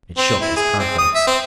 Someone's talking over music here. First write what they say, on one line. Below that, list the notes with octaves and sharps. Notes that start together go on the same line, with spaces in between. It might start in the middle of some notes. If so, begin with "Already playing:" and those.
It shook his confidence.
C4
E4
G#4
C4
D#6
E5
C4